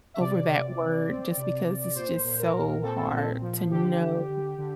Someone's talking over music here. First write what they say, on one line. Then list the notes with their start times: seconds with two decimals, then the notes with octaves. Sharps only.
over that word just because it's just so hard to know
0.14 E5
0.20 C3 D5
0.49 C3
0.79 C3
1.08 C4
1.37 C3
1.66 C3
1.95 A#2 C5
2.25 A#2
2.39 A#4
2.54 A#2
2.83 C4 A4
3.12 A#2
3.42 F3
3.71 D3 G4
4.00 D3
4.30 D3
4.58 D3